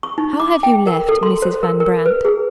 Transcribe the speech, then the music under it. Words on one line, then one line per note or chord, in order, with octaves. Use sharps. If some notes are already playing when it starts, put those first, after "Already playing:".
"How have you left Mrs. Van Brandt?"
C#6
D#4
D6
G5
A#4
A4
C6
C5
A#4
A#4
B4
G#4